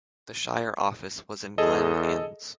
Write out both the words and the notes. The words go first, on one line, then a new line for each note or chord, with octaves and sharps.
The shire office was in Glen Innes.
E2 G#4 A4 D#5